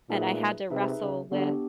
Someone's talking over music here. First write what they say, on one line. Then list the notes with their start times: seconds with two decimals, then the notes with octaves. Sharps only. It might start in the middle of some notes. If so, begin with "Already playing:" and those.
and I had to wrestle with
0.09 A#2 D#4 G#4 B4 E5
0.70 C3 D#4 G#4 B4 E5
1.02 C#3
1.32 D3 B3 D4 G4